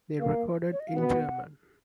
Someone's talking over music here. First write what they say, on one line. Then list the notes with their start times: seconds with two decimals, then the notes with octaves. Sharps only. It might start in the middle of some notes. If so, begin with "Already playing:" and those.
They recorded in German.
0.20 A#3 A#4 F5
0.72 C#5
0.80 D#5
0.88 F5
0.95 B2 B3 F#5